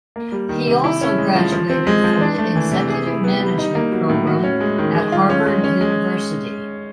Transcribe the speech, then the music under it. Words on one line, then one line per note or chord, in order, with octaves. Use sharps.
He also graduated from the Executive Management Program at Harvard University.
A#3
G3
D#3
C3
E4
C#4
G#3
F3
F3
C4
G#3
F3
D4
A3
E3
C3
G#4
E4
B3
G3
D#4
A#3
F#3
A2
F#4
C#4
G#3
D#3
G#3
F4
C#4
G#3
C#4
G#3